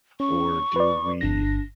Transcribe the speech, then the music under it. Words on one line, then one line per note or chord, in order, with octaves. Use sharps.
Or do we
C#4 C#6
B4 D5
G1 D4 A#6